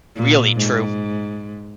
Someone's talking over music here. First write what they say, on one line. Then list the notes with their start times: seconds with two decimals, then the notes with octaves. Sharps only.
Really true.
0.16 A#2
0.55 G#2